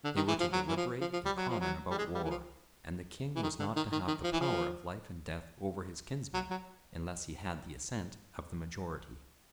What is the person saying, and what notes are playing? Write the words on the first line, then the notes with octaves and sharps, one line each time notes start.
They were to deliberate in common about war, and the king was not to have the power of life and death over his kinsmen, unless he had the assent of the majority.
D3
D#3
E3
F3
F#3
E3
F3
F3
F3
G3
F#3
F3
F#3
G3
G#3
G3
E3
F3
E3
D#3
D3
D#3
D#3
D#3
F3
E3
F3
F#3
F#3